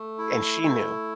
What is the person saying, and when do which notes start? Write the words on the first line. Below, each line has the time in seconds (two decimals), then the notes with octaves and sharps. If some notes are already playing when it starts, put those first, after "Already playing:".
and she knew.
Already playing: A3
0.18 E4
0.63 A3